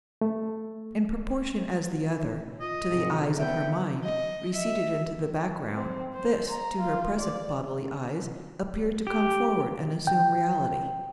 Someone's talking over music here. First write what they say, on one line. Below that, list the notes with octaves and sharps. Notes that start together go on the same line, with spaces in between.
In proportion as the other, to the eyes of her mind, receded into the background, this, to her present bodily eyes, appeared to come forward and assume reality.
A3
F4 D#5
G#2 C3 G#4
B3 D#4 B4 E5 G5
D#5
E5
C4
C5
A#5
F4
D5
G4
G5